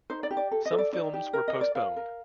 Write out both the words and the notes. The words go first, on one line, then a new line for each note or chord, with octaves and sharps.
Some films were postponed.
D#4 C5
D5
G4
D5
A4
D#5
A4
D5
D#4 D5
G4
A#4
D#5
A#4
D5
A#4 F5
A#4